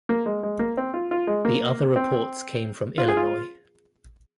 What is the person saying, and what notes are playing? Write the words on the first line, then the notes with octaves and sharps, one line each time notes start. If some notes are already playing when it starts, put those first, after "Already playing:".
The other reports came from Illinois.
A#3
G#3
G#3
A#3
C4
F4
F4
G#3
A#3
C4
F4
G#4
F4